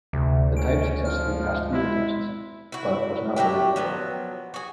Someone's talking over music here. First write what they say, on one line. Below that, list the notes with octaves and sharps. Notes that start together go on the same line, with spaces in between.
The type successfully passed field tests, but was not ordered in bulk.
D2 C3
C#4 D7
F3 F6
G#3 E4
E4 F#4
F#3 D4 E4 G4
F3 F#3 B3
F#4 G#4